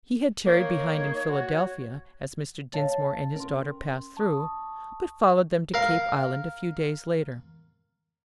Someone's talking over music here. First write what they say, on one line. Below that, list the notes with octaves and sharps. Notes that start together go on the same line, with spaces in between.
He had tarried behind in Philadelphia, as Mr. Dinsmore and his daughter passed through, but followed them to Cape Island a few days later.
A#3 D#4 C#5
F#4
C#5 D#5 F5 A5 A6
C#4 A#4 C6
A5 C#6 D#6
A#4 F5